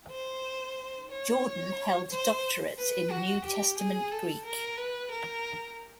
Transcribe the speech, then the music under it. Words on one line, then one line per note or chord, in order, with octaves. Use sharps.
Jordan held a doctorate in New Testament Greek.
C5
C#5
C5
B4
F#4
G4
G#4
A4
A#4
B4
A#4